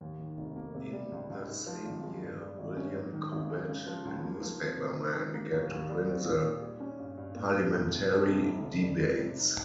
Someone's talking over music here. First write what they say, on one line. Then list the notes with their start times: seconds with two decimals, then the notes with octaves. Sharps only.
In the same year, William Cobbett, a newspaperman, began to print the "Parliamentary Debates".
0.01 D#2
0.20 D#3
0.38 F1
0.56 A#3
0.75 C3
0.93 G3
1.12 C#2
1.30 C#2
1.48 G#2
1.67 F3
1.85 G#1
2.03 G#3
2.22 G2
2.40 G3
2.58 G#1
2.77 C#4
2.95 G#2
3.13 D#3
3.32 G#1
3.50 G#3
3.68 C#3
3.86 F3
4.05 C#2
4.24 A#3
4.42 F3
4.60 C4
4.78 C3
4.97 D#4
5.15 D#3
5.34 A#3
5.52 D#2
5.70 D#2
5.89 G3
6.07 C4
6.25 A#2
6.44 G4
6.62 G3
6.80 C#4
6.99 G2
7.17 G2
7.36 A#2
7.54 F3
7.73 C2
7.90 C2
8.09 F2
8.28 C3
8.45 F1
8.64 F1
8.82 G3
9.01 C4
9.19 C3
9.38 D#4